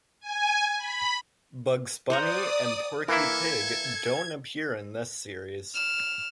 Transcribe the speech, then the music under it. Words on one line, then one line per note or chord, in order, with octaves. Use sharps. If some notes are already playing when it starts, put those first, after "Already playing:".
Bugs Bunny and Porky Pig don't appear in this series.
G#5
B5
C5 D5 F#5 A#5 D#6
E3 A#3 E4 A4 A#4 G#6
F6 E7